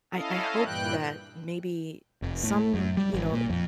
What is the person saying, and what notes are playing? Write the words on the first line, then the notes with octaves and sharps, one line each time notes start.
I I hope that maybe some, you know,
C#4 E4 A4 D#5 F5
G2 A#2 E3 G3 G5 F#6
F1
A2
F#2
G3
G#1
A#2
F2